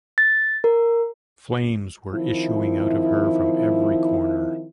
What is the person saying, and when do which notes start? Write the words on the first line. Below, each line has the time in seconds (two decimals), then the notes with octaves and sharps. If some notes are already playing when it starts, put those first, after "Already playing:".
Flames were issuing out of her from every corner.
0.18 A6
0.64 A#4
2.13 D#3 F3 C4 E4